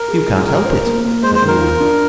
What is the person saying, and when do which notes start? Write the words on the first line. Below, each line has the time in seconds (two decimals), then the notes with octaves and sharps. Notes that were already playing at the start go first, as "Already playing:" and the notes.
'You can't help it,' said Newman.
Already playing: A#4
0.08 G#4
0.27 G#3
0.46 F4 A#4
0.66 C5
0.85 A#3
1.04 A#3
1.23 G#3 C5
1.35 C5
1.42 D#3
1.48 A#4
1.61 F4
1.80 D4